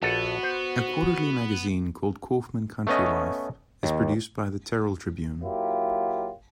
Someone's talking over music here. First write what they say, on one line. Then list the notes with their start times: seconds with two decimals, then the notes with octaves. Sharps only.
A quarterly magazine called "Kaufman County Life" is produced by the "Terrell Tribune".
0.03 A#1 B3 F#4 A4 F#5
0.43 C5
2.87 A3 B3 C#4 D#5
3.83 D#2
5.43 F#3 A#3 E4 F4 G4